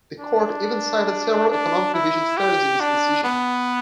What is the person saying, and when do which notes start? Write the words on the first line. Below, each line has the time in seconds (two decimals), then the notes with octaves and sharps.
The Court even cited several Economic Division studies in its decision.
0.20 D4
1.51 D4
1.94 E4
2.38 G4
2.81 D4
3.24 B3